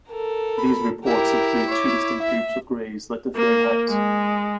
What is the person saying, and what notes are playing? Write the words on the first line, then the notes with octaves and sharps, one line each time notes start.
These reports include two distinct groups of Greys that differ in height.
A4 A#4
B5
E4 G4 A#4
C#5 D6
E5
A#3
G#3